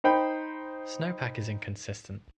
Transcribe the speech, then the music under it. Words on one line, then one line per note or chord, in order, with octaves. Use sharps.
Snowpack is inconsistent.
D#4 C5 G5 B5